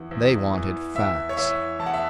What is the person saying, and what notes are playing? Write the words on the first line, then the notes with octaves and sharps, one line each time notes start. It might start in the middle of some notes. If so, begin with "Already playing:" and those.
They wanted facts.
Already playing: E2 E3
E2
E3
E2 E5
C#5
E3 E5
E2 A5
F#5
E5